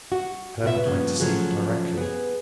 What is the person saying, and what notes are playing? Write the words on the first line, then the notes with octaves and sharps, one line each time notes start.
Herbert went to sleep directly.
F#4
B2 B3 F4 E5
G2 C#3 F3 A#3 B3
C#3 F3 F#3 A3 F#4 G#4
B3 G#4